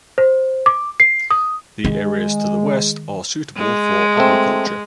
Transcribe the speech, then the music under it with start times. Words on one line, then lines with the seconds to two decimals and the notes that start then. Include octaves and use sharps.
The areas to the west are suitable for agriculture.
0.18 C5
0.66 D6
1.00 C7
1.31 D#6
1.84 D#3 G#3
3.57 G#3
4.17 A3 C4